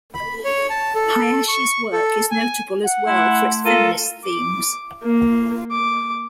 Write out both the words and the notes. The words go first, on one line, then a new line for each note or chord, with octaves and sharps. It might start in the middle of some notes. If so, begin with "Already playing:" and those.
Hayashi's work is notable as well for its feminist themes.
B5
C#5
A5
A4
C#6
A4
G#5
F#5
A3 E4 C6
F4 A4 A#4 D#7
D6
A#3
D6